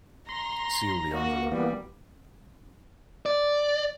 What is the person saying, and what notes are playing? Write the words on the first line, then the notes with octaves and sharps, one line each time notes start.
Seal the envelope.
A#5 C6
A#3 F#4
E3 G3 A#3 B3
D5